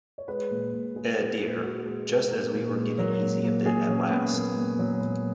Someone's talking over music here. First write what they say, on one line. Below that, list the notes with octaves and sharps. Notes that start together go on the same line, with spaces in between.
Eh, dear, just as we were getting easy a bit at last.
C#5
G#3 B4
A#2
A#2
G#3 G#4
G#3
A#2
A#2 F#4
G#3
G#3
A#2 A#4
A#2
G#3
F#3 A#4
A#2
A#3
A#2 G#4
F#3 C#4
A#2 B3
A#3 B3
A#2
F#3
A#2 B3